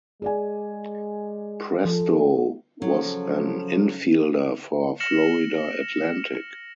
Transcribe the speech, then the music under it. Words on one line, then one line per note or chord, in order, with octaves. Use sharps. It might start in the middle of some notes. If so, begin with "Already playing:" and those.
Presto was an infielder for Florida Atlantic.
G#3 G#4 D5 G#5
F3 A4
C#3 F3 F#3 A4
F6 A#6 C#7 E7 F#7